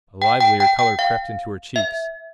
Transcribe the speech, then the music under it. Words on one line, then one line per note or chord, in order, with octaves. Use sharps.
A livelier colour crept into her cheeks.
G5
G5
G5
G5
F5
E5